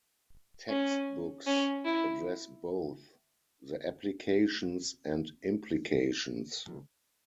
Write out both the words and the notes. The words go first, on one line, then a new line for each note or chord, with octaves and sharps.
Textbooks address both the applications and implications.
C#4
C#4
E4